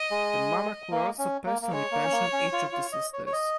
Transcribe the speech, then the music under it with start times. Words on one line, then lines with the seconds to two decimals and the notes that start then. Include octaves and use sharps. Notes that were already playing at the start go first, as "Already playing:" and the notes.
The monarch will also personally pension each of the sisters.
Already playing: D#5
0.11 G#3
0.92 A#3
1.18 C#4
1.46 A#3
1.62 A#3
1.72 G#3 C#5
1.92 A#3
2.04 C#4
2.12 A#3
2.33 C#4
2.53 F4
2.73 F4
2.92 D#5
3.13 C#5
3.27 C#5
3.33 D#5